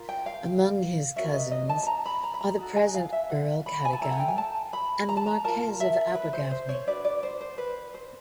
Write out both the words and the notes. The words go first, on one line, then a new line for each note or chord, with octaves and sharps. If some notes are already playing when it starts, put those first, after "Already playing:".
Among his cousins are the present Earl Cadogan and the Marquess of Abergavenny.
Already playing: F4 A#4
G5
F5
C#4 F#4 A#4 E5
D#5
D#5
A5
A5
A#5
B5
A#5
B5
A#5
D#4 F#4 A4
G#5
F5
E5
F#5
B5
G#5
A5
E4 A4 A#5
F#5
G5
G#5
A5
B5
A#5
A5
A#5
F4 A#4 A5
E5
B4
C5
C5
C#5
D4 F#4 B4 D5
D5
C5
C5
B4
C5